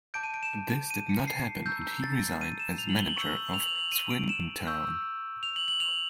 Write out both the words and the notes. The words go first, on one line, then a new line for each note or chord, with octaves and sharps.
This did not happen and he resigned as manager of Swindon Town.
A5 D6 G6 D7
D#7
D7
E7
D#7
C#7
C7
A#5 C#6 E6 G6
A6
D#7
E7
F7
F#7
G7
F#7
C#6 E6 G6
F7
F#7
F7
F#7
F7
D#7
D7
E7
C#6 E6 G6
F7
F#7
F#7
F7